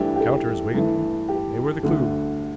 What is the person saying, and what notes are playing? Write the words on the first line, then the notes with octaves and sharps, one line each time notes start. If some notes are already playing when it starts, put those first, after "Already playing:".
The counters, Wigan, they were the clew.
Already playing: G2 E3 A3 D4 E4 G4
G4
A4
G2 E3 A3
G4
D2 D3 G3